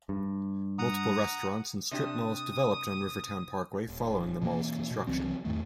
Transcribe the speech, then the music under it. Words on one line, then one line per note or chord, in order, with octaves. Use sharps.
Multiple restaurants and strip malls developed on Rivertown Parkway following the mall's construction.
G2
F#5 A#5 D#6
C3 D4 G4 D#6
D#1
B2 E3 A#3
B2
C2 E3 F#3 C4
E2 G#2 D#3 A3